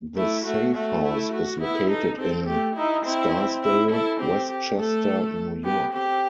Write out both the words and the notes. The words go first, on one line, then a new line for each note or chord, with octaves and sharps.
The safe house is located in Scarsdale, West Chester, New York.
A3 E4
A3 F#4
A3 F#4
E4
F#4
B3 E4
D#4 A4
C4 A4
A3 G4
D#4 E4
C4 E4
E4
E4 A4
C4 G4
G4
A3 A4
B3 G4
C4 G4